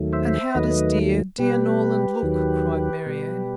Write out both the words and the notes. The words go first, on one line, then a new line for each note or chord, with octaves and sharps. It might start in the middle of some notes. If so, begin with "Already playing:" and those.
"And how does dear, dear Norland look?" cried Marianne.
Already playing: D#2 D#3 F#3 A3
C5 E5
D#2 D#3 F#3 A3 B4 D#5
B2 G3 G4 B4
D#2 D#3 F#3
B2 G3